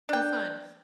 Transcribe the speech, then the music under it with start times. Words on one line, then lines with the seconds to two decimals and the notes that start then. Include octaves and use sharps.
Oh, fun.
0.09 D4 G5